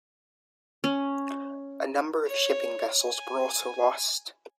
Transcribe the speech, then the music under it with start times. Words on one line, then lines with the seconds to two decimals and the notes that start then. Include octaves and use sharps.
A number of shipping vessels were also lost.
0.84 C#4
2.27 C#5
3.05 G#5